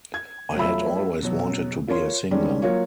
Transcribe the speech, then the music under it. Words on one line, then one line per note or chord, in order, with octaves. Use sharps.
I had always wanted to be a singer.
G#6
F#3 A3 F4 E5 B5 E6
B2 F#3
F4 A#4 C#5 C6
D#3 G3 G#3 C#4 D4
F#3 A#3 F4 C#5